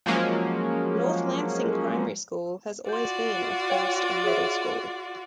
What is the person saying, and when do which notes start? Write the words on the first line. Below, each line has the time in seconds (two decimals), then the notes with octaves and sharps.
North Lancing Primary School has always been a first and middle school.
0.06 F3 F#3 G#3 A#3 C#4
2.89 F4 F#4 D5 C6 G6
3.70 C#5 F5 G5
4.24 G#4 C#5 E5